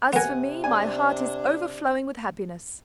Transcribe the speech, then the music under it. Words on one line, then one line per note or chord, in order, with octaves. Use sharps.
"As for me, my heart is overflowing with happiness."
C3 B3 A#4 F#5 G#5
D4 G#5